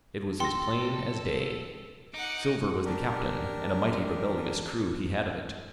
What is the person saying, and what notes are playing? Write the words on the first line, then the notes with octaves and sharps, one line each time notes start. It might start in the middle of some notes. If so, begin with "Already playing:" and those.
It was as plain as day. Silver was the captain, and a mighty rebellious crew he had of it.
A4 G5 C6 A#6
D#4 F#5 D6
D4 G4 A#4